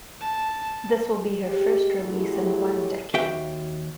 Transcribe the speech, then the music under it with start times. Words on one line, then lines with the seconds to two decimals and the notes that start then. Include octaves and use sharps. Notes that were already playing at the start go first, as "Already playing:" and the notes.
This will be her first release in one decade.
0.20 A5
1.43 G#3 G4
1.98 F#3 G#3 A3 E4 G4
3.14 D#2 F#4 E5 F5 G5